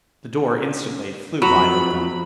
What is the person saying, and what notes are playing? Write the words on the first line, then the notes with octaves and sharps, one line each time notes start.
The door instantly flew wide open.
F2 F#3 B5